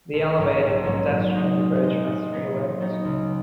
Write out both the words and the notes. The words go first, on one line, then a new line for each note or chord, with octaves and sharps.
The elevated pedestrian bridge has three lifts.
A#1
G#2 F#3 A#3 C#4
A#1
G#2 F#3 A#3 C#4
A#2
G#3 D#4
A#2
G#3 D#4
A#2
F#3 B3 D#4
A#2
F#3 B3 D#4
C#2